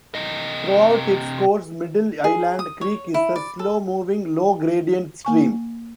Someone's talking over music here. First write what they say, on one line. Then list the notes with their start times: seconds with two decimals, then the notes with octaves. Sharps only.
Throughout its course Middle Island Creek is a slow-moving, low-gradient stream.
0.15 C3 D#5
2.24 G#4
2.59 D#6
2.81 C#5
3.14 E4
3.36 D5
3.59 A4
5.25 A#3 G#5 C#6